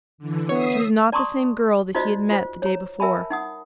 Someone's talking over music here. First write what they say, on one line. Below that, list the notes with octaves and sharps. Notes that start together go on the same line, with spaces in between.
She was not the same girl that he had met the day before.
D3 E3
B3 C#5 E5 D#6 C7
D5 A5 A#5 C6 C#6 D#6
D#4 F4 F#4 C5 D5 D#5
F4 C5
C#5 A#5
A#4 E5 G#5 A5 B5
D#4 F#5 D#6